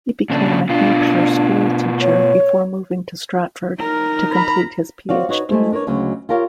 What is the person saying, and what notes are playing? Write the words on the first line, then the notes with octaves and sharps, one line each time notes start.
He became a Hampshire school teacher before moving to Stratford to complete his PhD.
A#2 C#3 D4
B2 D4 F4
C#5
D#4 A#4
A#5 B5
C4 F#4 C#5 D5 F5
D#4 F#4 B4 C#5 D#5
G#3 A3 E4 C5
D4 A#4 B4 C#5
D2 C#3 F#3 G#3
F4 G4 A#4 C#5 F5